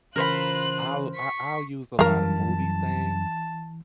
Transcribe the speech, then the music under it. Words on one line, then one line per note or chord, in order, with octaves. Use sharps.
I'll I I'll use a lot of movie sayings
C#3 E3 C#4 F4 A#4 C5 B5 F#6
C#6 B6
F#2 E3 G3 A#4 F5 A5